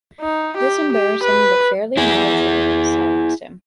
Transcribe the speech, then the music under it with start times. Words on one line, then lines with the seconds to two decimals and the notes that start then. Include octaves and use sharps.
This embarrassing but fairly mild treatment silenced him.
0.21 D#4
0.57 G4
0.92 G4
1.23 B4
1.97 E4 G#4